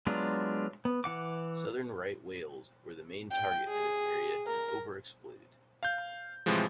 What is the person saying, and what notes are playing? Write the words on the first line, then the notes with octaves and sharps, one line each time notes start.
Southern right whales were the main target in this area and over expoited.
F#3 G#3 B3 D4 F4
B3
E3 F#5 D6
G5
G#4
A#4
F5 G6
A2 C3 E3 F3 G#3